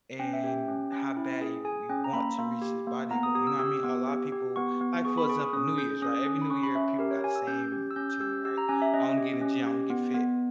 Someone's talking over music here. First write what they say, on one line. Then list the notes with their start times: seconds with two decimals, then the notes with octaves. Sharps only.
and how bad you you want to reach this body goal, you know what I mean? A lotta people, like, for example, New Year's, right? Every New Year, people got the same routine, right? "I wanna get in the gym, I wanna get fit."
0.19 C#4 G5
0.33 E5
0.44 G4 G5
0.68 C#4
0.92 C#4
1.17 E4
1.41 G#4
1.65 G#4 G#5
1.89 C#4 G5
2.04 A#5
2.13 A#3 B5
2.38 A#3
2.62 G4
2.87 A#3
3.11 B3 A#5
3.23 D#6
3.35 G4 D#6
3.47 E6
3.59 G4 E6
3.84 B3
4.08 G4
4.32 G4
4.56 B3 C#6
4.81 B3
5.05 G#4 C#6
5.18 B5
5.29 G#4 C#6
5.41 D#6
5.53 C#4 D#6
5.78 G#4 G6
6.02 C#4 D#6
6.27 C#4
6.42 B5
6.50 C#4 C#6
6.63 B5
6.75 C#4 E5
6.99 G4 A#4
7.11 C#5
7.24 G4 G#5
7.36 E6
7.47 C#4 G6
7.72 G4
7.91 E6
7.96 C#4 G6
8.10 G6
8.20 G4 E6
8.45 G4 E6
8.58 A#5
8.69 C#4 G#5
8.82 E5
8.94 C#4 D#5
9.17 G4
9.41 C#4
9.67 G4
9.90 B3
10.14 B3